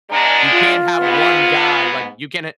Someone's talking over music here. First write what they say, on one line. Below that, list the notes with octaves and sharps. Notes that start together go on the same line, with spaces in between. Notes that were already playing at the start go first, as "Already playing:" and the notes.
You can't have one guy, like, you can ha
E2 G#3 D4 A#5
F4
G#2 B3